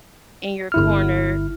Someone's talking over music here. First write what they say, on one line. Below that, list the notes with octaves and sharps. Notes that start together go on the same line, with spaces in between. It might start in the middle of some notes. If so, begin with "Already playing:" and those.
in your corner,
G1 E4 F6